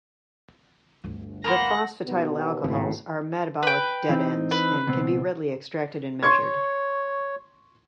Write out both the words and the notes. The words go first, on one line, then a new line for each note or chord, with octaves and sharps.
The phosphatidyl alcohols are metabolic dead-ends, and can be readily extracted and measured.
G1 D2
A#3 B3 C5 F#5 A#6
D#2 B2 B3
G#1 A2
B4 G5
E3 C4 D#4
B4
C#2 B2 C4
C#5 C6 C#6 G#6